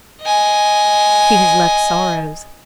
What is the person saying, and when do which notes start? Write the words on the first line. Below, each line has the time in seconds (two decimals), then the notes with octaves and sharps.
She has left sorrows.
0.23 D#5 G#5